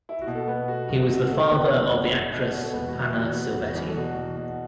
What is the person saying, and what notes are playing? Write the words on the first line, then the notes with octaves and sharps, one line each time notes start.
He was the father of the actress Anna Silvetti.
E4
F#4
B2
A4
B2 B3 B4
A3 F#4
F#1 F#4
B2 F#4
A3 A4
F#1 B3 B4
B2
F#1
F#1
B2
B2 F#4
A4
E1 B3 B4
B2 F#4
E4
E2
F#4
B3 F#4
E1
E2 B4
A4
B2 F#4
E2
B2